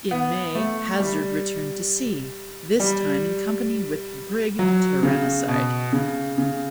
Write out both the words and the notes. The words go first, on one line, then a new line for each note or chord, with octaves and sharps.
In May, "Hazard" returned to sea, this time in company with the brig "Tyrannicide".
B3
A3
G3
G3
F#3
C#3
B2
C#3
C#3